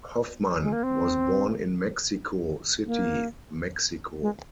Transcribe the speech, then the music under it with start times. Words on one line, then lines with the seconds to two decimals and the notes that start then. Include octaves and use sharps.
Hofmann was born in Mexico City, Mexico.
0.62 G#3
0.72 A#3
0.83 C4
2.86 A#3
4.22 G#3